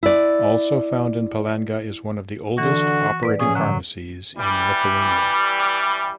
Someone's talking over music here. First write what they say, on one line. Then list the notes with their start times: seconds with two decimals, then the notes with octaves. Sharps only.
Also found in Palanga is one of the oldest operating pharmacies in Lithuania.
0.03 E4 D5
2.58 D3 E3 F#4
3.23 G#2 B4 D5
3.40 A2 F3 C#4 G#4
3.55 D3 F#3
4.38 E3 G3